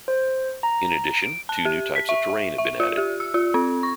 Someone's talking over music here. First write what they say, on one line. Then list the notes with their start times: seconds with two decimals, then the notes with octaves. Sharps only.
In addition, two new types of terrain have been added.
0.08 C5
0.63 A#5
1.22 D7
1.49 A5
1.65 G4
1.96 B6
2.09 E5
2.30 E5
2.58 E5
2.80 F4
2.97 G4
3.20 E6
3.34 F4
3.54 C4
3.83 C#6